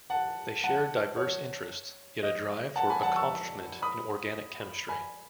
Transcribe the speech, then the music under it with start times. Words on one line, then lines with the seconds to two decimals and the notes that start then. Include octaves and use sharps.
They shared diverse interests, yet a drive for accomplishment in organic chemistry.
0.10 F#5 A5
0.64 F#5 A5
1.17 C#5
2.23 D#5
2.76 F#5 A5
2.90 G#5 B5
3.02 F#5 A5
3.16 C#6 E6
3.82 B5 D#6
4.89 G#5 B5